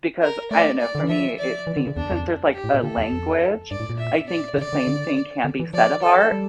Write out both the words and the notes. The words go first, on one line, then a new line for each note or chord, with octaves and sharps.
because, I don't know, for me, it seem since there's, like, a language, I think the same thing can be said of art.
A#4
A3 D5
D5
D3
E3
F3 E5
D5
E3
D3
C#3
E2 D4
F2
G4
A2
A#2
D3 A4
E2
F2
G2 D5
A2
A#2
E5
D5
D3
C#3 D5
D3
D3
D3
E3
F3 D5
A4
G3